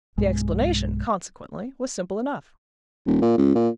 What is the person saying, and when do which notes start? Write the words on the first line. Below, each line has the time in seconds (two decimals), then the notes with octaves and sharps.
The explanation, consequently, was simple enough.
0.18 B1 G2 G#3
3.06 D#1
3.22 A#2
3.37 C#2
3.55 A#2